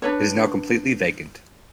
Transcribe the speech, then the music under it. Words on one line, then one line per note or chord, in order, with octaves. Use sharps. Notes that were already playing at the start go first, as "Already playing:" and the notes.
It is now completely vacant.
D4 B4 C#5